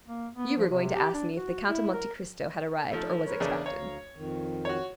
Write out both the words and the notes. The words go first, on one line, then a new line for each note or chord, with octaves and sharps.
"You were going to ask me if the Count of Monte Cristo had arrived, or was expected."
A#3
B3
F3
C3
G4
D4
F#4
E4
A#4
F3 A3 D#4
A#4 B4 C#5
E2 C#3 D4
D2 C#5 F5 A#5
F2 D#3
F#4 C#5